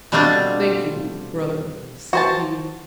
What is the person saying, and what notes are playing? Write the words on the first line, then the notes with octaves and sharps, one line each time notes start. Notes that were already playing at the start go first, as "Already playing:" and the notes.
"Thank you, brother," said he.
B2 G3 A3 C4 D4 F4
F#4 C5 A5